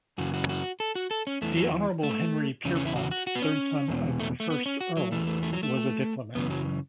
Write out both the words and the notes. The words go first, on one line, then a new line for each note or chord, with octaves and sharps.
The Honourable Henry Pierrepont, third son of the first Earl, was a diplomat.
F#2 C#3 E3 F#4
F#4
F#4
A4
F#4
A4
C#4
E2 E3 A3
F#3
A3
E2 C#3 C#4
C#4
E4
F#4
F#4
F#4
B3
C#4
E2 B2
A3
A3
B3
C#4
F#4
F#3
E2 E3 A3
A3
A3
F#3
A3
F#2 C#3 E3 B3
F#3